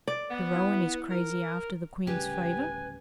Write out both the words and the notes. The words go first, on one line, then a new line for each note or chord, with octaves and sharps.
De Rohan is crazy after the Queen's favor.
D5
B3
E4
A#4
D1 C#3 G3 G4 B4 G#5